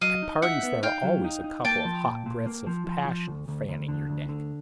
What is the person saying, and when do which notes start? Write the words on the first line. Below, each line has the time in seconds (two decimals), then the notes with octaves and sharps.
At parties there are always a couple of hot breaths of passion fanning your neck.
0.01 F#3 D#5 F5
0.22 D#4
0.42 D#4 E5 F#5
0.63 B3
0.83 D#4 F5 G5
1.03 F#3
1.24 D#4
1.44 D#4
1.65 A#3 G5 A5
1.85 F3
2.05 A#2
2.26 A#2
2.46 A#3
2.67 F3
2.87 F3
3.07 F3
3.27 D2
3.48 D2
3.69 D2
3.88 D3
4.09 D2
4.29 D3